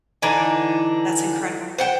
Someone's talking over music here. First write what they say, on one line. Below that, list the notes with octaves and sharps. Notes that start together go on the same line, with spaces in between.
That's incredible.
D3 E3 D4 D#4
C5 F#5 G5